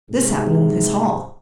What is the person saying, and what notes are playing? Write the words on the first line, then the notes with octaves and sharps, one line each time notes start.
This happened in his hall.
G#2 C3